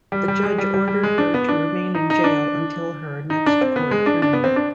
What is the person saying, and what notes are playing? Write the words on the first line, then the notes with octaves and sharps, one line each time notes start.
The judge ordered her to remain in jail until her next court hearing.
G3
G3
G#3
G3
G3
G3
G#3
D4
B3
D4
D#4
D#4
D4
D#4
D4
C4
B3
G#3
D4
D4
B3
C4
D4